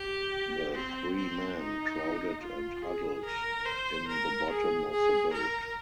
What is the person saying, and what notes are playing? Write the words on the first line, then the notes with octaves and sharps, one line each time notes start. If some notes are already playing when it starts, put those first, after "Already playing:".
The three men crowded and huddled in the bottom of the boat.
Already playing: G4
C4
C4
D#4
F4
G#4
A#4
C5
A#4
G#4
G#4
A#4